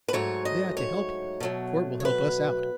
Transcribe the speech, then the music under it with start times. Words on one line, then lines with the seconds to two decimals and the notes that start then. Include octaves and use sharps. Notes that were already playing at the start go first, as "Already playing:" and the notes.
They ought to help you, for it will help us out.
0.08 B4
0.13 G#2 F#3 A3 C#5
0.45 D#5
0.77 C#5
1.40 B2 F#3 A3
2.00 C#5
2.05 B4